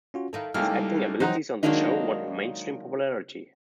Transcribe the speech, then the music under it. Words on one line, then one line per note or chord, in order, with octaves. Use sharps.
His acting abilities on the show won him mainstream popularity.
C#4 F4 F#4
D#3 D#4 E4 A4 F5
C#2 G3 A#3 D#4 E4 A4 F6
E3 F#3 C4 D#4 F#5 A#5
D#3 F#3 G#3 A#3 D4 D#4